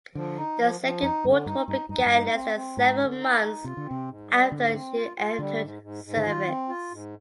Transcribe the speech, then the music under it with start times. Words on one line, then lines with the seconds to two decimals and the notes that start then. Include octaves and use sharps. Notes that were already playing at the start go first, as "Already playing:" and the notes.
The Second World War began less than seven months after she entered service.
0.15 D3 F3
0.37 D#4
0.59 F3
0.81 F3
1.02 F2 D#4
1.24 G2 D3
1.46 G2 D#4
1.68 G2 D#4
1.89 G2 D#4
1.98 F2
2.06 G2
2.11 D#4
2.33 C4
2.55 C4
2.77 G#2 D#4
2.98 D3
3.21 D#4
3.42 D#4
3.64 C3 F4
3.77 D3
3.86 C3 C4
4.08 G#2
4.29 G3
4.52 G#2 D3
4.73 C4
4.95 F4
5.17 F4
5.39 D3 G3
5.60 G#2
5.82 G#2
6.04 G#2
6.17 D3
6.26 D#3 F4
6.48 C4
6.69 F4
6.91 G#2